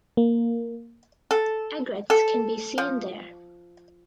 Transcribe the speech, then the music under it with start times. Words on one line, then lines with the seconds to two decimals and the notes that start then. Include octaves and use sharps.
Egrets can be seen there.
0.17 A#3
1.31 A4
2.10 A4
2.78 F3